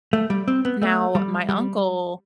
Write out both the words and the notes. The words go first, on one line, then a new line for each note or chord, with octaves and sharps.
now my uncle
A3
G3
C4
B3
A3
G3
G3